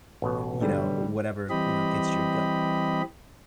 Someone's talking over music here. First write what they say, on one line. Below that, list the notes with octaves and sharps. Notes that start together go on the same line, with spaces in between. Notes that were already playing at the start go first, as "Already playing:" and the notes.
you know, whatever, you know, gets your goat.
A1 B2
D3 G3
E3 G3 C4 G4 D#5 B5